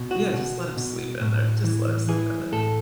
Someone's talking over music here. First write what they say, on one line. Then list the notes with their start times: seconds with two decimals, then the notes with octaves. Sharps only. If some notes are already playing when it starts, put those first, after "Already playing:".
Yeah, just let him sleep in there, just let him sleep in there.
Already playing: B2
0.11 F#4
0.33 B2
0.77 B2
1.21 A2
1.64 E3
2.08 E3 G#4
2.52 A2 A4